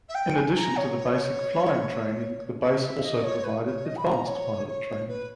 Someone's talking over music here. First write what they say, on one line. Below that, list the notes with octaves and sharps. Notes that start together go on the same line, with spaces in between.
In addition to the basic flying training, the base also provided advanced pilot training.
E5
G5
G#5
A#5
C#5
E5
E5
D#5
C#5
B4
C#5
D#5
B5
A#5
C#5
C#5
B4